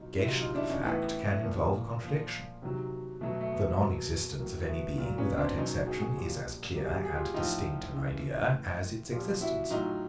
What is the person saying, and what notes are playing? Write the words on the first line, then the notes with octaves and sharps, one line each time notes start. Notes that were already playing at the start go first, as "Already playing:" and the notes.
No negation of a fact can involve a contradiction. The non-existence of any being, without exception, is as clear and distinct an idea as its existence.
Already playing: B2 F#3 D#4 F4
E4
C3 D#3 F#3 D#4 F4
D#4 F4
D4 E4
C#4 D#4
A2 E3 A3 B3
A3
A#2 F3 A#3
A#2 F3
C3 D#3 F#3
B2 F#3 A3
A3
B3
A#3
B2 F#3
A2 F#3 A#3
A3 B3
A#2 F#3
B3 C#4
C4 D4
B2 F#3 C#4 D#4
F#4 G#4
F#4 G#4
A#2 F3 F4 G4
A#2 F#3 G4
G#4
G4
G#4
F4 G4
A2 F3 D#4 F4
C#3 E3
A2 E3
A#2 F3 F4 G4
E4 F#4
A2 F#3 D#4 F4